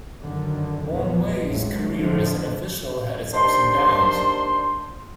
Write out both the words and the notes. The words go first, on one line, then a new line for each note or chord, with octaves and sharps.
Wang Wei's career as an official had its ups and downs.
F#2 D3 D#3
B1 E2 A#2 E3 F3 B3
A1 E2 G#2 F#3 G#3 A3
F2 A2 D3 F3 A3
D#2 D4 C5 C6